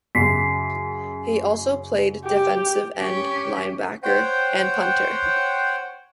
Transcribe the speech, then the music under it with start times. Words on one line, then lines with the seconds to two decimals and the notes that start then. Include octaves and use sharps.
He also played defensive end, linebacker, and punter.
0.15 F#2 C#3 B6 C7
2.25 G4
2.97 C#4 G4
4.04 C5 C#5 F#5 G5